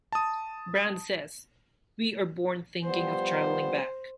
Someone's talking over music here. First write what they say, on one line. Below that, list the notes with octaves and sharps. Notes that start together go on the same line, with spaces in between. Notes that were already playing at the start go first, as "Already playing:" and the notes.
Brand says, We are born thinking of travelling back.
A5 D#6
F3 G3 B3 C5